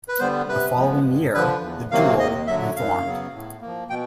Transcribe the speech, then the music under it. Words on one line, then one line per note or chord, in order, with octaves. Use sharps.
The following year, the duo re-formed.
B4
D3 G3 B3 C5
C3 B4
F3 G#3 B3
G2
D3 F3 B4
E2
C3 D#3 F#3 A#3 F5
D#2 D#5
D3 F#3 E5
F#2 F5
C#3 F#3 B3
A2
F3 A#3
B2 G5